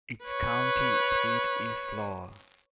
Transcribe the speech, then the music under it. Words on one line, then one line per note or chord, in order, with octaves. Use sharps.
Its county seat is Loa.
B4 C#5